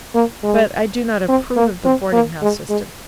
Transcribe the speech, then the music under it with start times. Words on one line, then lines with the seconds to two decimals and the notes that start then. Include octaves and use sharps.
But I do not approve of the boarding-house system.
0.15 A#3
0.43 G#3
1.29 C4
1.56 A#3
1.85 C4
2.13 A#3
2.42 G#3
2.69 G#3